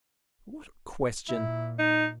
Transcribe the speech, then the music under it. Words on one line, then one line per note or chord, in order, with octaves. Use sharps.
"What a question!"
A#2 E4
D#4